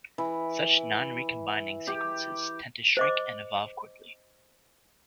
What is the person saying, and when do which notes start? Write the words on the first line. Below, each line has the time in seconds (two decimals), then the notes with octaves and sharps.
Such non-recombining sequences tend to shrink and evolve quickly.
0.18 E3
1.87 G4
2.97 C5 D#5 D6